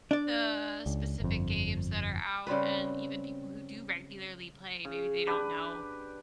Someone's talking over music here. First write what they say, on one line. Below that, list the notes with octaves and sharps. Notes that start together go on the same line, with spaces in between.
the specific games that are out, and even people who do regularly play, maybe they don't know
D4 D5
C#2
G1 F2
C#3 G3 C4 B4
C#3
D4 G4 B4